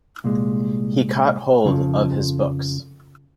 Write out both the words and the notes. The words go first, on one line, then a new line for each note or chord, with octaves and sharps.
He caught hold of his books.
C2 A#2 G#3
F2 C#3 F3